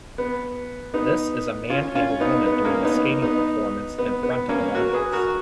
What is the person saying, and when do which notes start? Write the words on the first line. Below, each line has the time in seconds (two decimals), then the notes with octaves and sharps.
This is a man and a woman doing a skating performance, in front of an audience.
0.18 B3
0.94 B3 D#4
1.70 C#4 F4
1.95 C#4 F4
2.20 B3 D#4
2.45 B3
2.65 A#3 C#4
2.85 B3 D#4
3.22 B3 D#4
3.98 B3
4.23 B3
4.49 A#3 C#4
4.75 F#4 A#4
4.93 G#4 B4
5.12 F#4 A#4